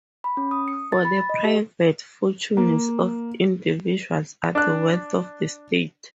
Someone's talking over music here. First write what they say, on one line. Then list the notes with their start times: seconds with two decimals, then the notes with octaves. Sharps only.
For the private fortunes of individuals are the wealth of the state.
0.24 B5
0.37 C#4
0.51 D#6
0.68 C#7
0.92 A6
1.05 B5
1.29 D#5
1.45 G4
2.57 A#3
4.55 D4 F#6